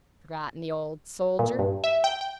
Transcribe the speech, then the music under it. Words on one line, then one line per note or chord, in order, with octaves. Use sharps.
Forgotten the Old Soldier!
A#2
G2
E5
G5
G5